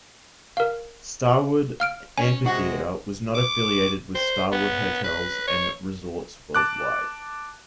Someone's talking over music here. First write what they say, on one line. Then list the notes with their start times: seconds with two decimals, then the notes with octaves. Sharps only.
Starwood Amphitheatre was not affiliated with Starwood Hotels and Resorts Worldwide.
0.57 A#4 F5
1.80 F5 F6 D7
2.18 C#4 G#5
2.45 C3 G#3 F#4
3.35 D6
4.15 C5
4.52 B3
5.04 B4
5.47 C#5
6.55 A5 D6 F#6